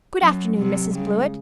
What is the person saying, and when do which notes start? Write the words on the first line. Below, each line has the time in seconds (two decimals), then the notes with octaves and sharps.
Good afternoon, Mrs. Blewett.
0.22 F#2 F#3
0.58 C3
0.95 C#3 G3
1.13 G#3